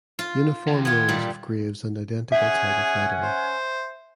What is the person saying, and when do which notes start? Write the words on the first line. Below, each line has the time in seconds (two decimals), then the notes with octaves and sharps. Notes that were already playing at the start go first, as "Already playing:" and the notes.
Uniform rows of graves and identical type of lettering.
0.19 F4
0.68 D#2
0.85 B3 F4 G#6
1.09 A#2 G3
2.32 C#4 G#4 E5 F#5 G#5
3.22 C5